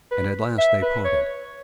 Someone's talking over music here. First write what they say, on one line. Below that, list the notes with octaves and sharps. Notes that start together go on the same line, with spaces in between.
And at last they parted.
B4
E5
B4
C#5